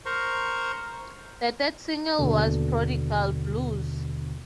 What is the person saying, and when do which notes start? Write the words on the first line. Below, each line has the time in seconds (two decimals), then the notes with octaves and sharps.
The third single was "Prodigal Blues".
0.06 A#4 C5 A#5 C6 C#6
2.19 D#2 B2 D3